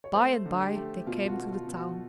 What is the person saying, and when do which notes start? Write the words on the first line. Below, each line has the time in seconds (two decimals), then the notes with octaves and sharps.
By and by they came to the town.
0.04 C#5
0.14 A3 C5
0.46 D3
0.60 G4
0.76 A3
1.06 B2 F4
1.24 F4
1.29 F#4
1.37 B2
1.52 F4
1.67 B2
1.75 F#4